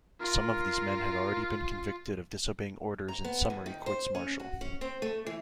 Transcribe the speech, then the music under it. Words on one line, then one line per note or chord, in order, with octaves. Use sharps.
Some of these men had already been convicted of disobeying orders in summary courts-martial.
F4 A#4
A#5
B3
E2
D#3
C5
C#4
F#4
C#4
C4
A3
E3